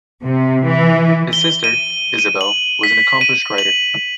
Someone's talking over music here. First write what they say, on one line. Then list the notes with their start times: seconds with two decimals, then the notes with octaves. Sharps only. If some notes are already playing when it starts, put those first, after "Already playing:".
His sister, Isabel, was an accomplished writer.
0.22 C3
0.65 E3
1.33 G7
1.64 D#7
2.19 D#7
2.41 F#7
2.83 B6
3.21 D#7
3.58 F#7